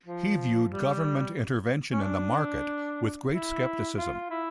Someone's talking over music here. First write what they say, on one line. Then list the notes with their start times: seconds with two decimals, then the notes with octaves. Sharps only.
He viewed government intervention in the market with great skepticism.
0.06 F3
0.71 G3
1.92 C#4
2.02 D4
3.32 E4
3.98 F4
4.30 E4